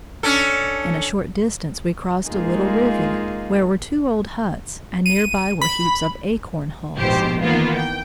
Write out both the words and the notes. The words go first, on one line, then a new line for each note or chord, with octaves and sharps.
In a short distance we crossed a little rivulet, where were two old huts and near by were heaps of acorn hulls.
C#4 D4 A4
G#3 A#3 D#4 F4 G#4
D#7
B5
A#1 G#2 B2 G4 C5
D#3 E3 A#3 B3 F4
G5